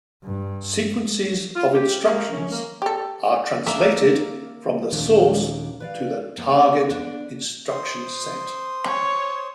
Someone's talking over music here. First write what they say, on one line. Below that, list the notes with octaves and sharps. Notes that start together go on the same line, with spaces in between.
Sequences of instructions are translated from the "source" to the "target" instruction set.
G2
F4
G4
A#3
C#4
A#3
G4 A4
A#3 D4 E5
D#2 A#2 D#3 C#4 D4
B4 D5 F5
A#3 B3
D4 D5
C5 C6 D#6
C#5